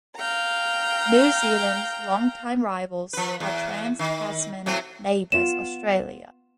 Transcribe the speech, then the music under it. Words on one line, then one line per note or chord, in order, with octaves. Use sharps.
New Zealand's long time rivals are Trans-Tasman neighbors Australia.
F5 G5 A#5
F3 B4
E2
D#3
A2 F#3 C4
B3 F4 E7